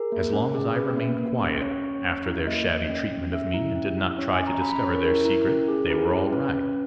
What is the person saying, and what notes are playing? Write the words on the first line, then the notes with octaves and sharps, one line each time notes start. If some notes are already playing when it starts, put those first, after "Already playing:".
As long as I remained quiet, after their shabby treatment of me, and did not try to discover their secret, they were all right.
Already playing: G#4 A#4
A#3
C#4
G#4
C#4 B4
A#3
A#3
C#4
C#4 C#5
C#4
C#4
E4
A#3 D#5
A#3
C#4
C#4
C#4 E5
E4
C#4
E4
C#4 C#5
G#5
C#4
A#5
C#4 B5
B5
C#4 C#5
A#4
E4 A#4
E4
C#4
G#4
E4 B4
C#4 B4
C#4 B4
C#4